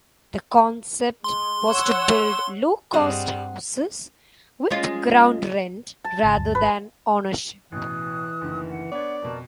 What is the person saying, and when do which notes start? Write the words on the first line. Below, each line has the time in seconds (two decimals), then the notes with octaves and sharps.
The concept was to build low-cost houses with ground-rent rather than ownership.
1.24 G#3 C6
1.66 C#5 F#5 E6
2.93 G2 G3 C4 G#4 D#5 F#5
4.70 G#3 C#4 F4
6.04 A5
6.23 G#1 C#3
6.37 D2 G2
6.55 G#1 B4
7.72 A1 B2 E3 D#6 F#6
8.41 F#1 D2 D#3
8.68 F#5
8.92 B3 D4 C#5 D5
9.22 F2 B2 A#4 B4 A5